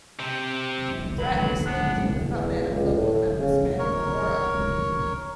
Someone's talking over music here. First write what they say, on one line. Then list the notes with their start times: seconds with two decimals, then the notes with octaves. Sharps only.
Brett recently became the frontman of local Memphis band Aurora.
0.19 C3 C4
1.18 F#3 B4 B5
1.66 B3 D4 F#6
2.33 E2
2.70 C#2
2.97 A2
3.40 C#3
3.79 A#4 C#5